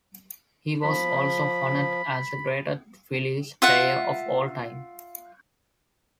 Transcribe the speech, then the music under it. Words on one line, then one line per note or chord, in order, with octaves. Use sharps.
He was also honored as the greatest Phillies player of all-time.
F3 B5
F4 E5 F#5